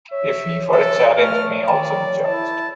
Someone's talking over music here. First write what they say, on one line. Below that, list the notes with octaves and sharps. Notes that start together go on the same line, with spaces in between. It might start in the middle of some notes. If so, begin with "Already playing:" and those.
A fee for a challenge may also be charged.
C#5 E5
A4 A#4 C5 E5
A3 F6
D#3 D5 G5 G#5 A#5
E4 A5